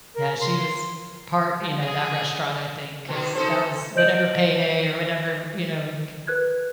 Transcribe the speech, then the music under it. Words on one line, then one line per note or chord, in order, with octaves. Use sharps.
Yeah, she was part, you know, that restaurant, I think, 'cause that was whatever payday or whatever, you know, we
A#4
C6
G#4
B2 D#3
D#4 A4 C5
C5 D5 D#5 G6 D7 F#7
A#4 B4 F#6 G#6